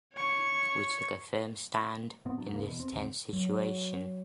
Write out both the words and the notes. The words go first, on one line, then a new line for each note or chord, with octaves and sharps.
We took a firm stand in this tense situation.
C#5 C#6
A2 B3 C4
F1 F#3 D4
D#1 G#2 C#3 A#3
E2 B2
C4
D#2 C#3 C4
F#3